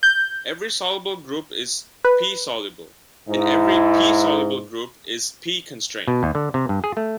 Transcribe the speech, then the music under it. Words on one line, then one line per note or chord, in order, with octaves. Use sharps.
Every soluble group is "p"-soluble, and every "p"-soluble group is "p"-constrained.
G6
B4
G#2 E4
B2
D#2
D3
C3
G2
G#4
A3